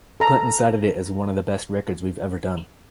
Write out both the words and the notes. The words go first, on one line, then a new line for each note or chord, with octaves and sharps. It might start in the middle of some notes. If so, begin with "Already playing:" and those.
Clinton cited it as "one of the best records we've ever done".
A4 A#5